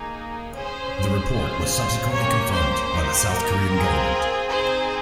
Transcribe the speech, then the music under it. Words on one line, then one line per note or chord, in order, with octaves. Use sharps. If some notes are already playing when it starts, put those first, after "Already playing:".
The report was subsequently confirmed by the South Korean government.
Already playing: A#3 D#4 G#4
C#4 G#4 C5
C#4 F4 G#4
C5
A#3 C#4 G4 C#5
C5
A#3 D#4 G4
A#4
C4 F4 G#4
C4 D#4 G#4 C5